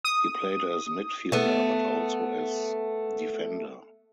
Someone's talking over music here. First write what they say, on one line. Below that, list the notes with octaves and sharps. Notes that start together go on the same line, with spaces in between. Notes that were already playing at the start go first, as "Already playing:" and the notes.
He played as midfielder but also as defender.
D#6
A3 B3